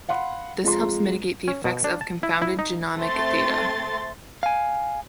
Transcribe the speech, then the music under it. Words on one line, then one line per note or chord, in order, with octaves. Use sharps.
This helps mitigate the effects of confounded genomic data.
F5 F#5 B5 C6
F2 G#3 F4 A#5 C6
C#4
B2
D4
A5
E4
E4
D#4
A3 C4 C6 A6
F5 G#5